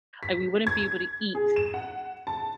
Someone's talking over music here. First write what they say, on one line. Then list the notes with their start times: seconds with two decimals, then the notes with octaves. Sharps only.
and we wouldn't be able to eat
0.23 B6
0.67 G#6
1.35 G#4
1.56 E7
1.74 F#5
2.27 A5